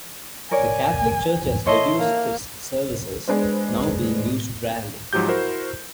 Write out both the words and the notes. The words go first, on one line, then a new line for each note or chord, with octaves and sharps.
The Catholic church has reduced its services, now being used rarely.
A#4 C#5 D5 G#5
E4 A4 C#5 D#5 C6
A#3
G#3 B3 D4 B4 C5
G#2 F3 F#3 G4 G6
E4 F#4 A#4 C5